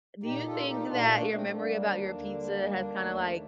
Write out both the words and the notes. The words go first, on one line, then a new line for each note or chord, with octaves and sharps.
do you think that your memory about your pizza has kinda, like,
A#2 D#4 G4
A#2 F4 A4
A#2 D#4 G4
A#2 D4 F4
A3 A#3 D4
A3 C4
G3 A#3 D4
D#2
D3
D3
G3
D#2
D#2
A3
D#2